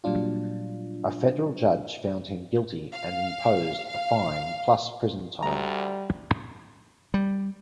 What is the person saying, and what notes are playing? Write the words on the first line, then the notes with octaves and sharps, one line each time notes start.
A federal judge found him guilty and imposed a fine plus prison time.
A#2 F#3 G3 D4 F4
F5
F5
D2 G3 A#5
G3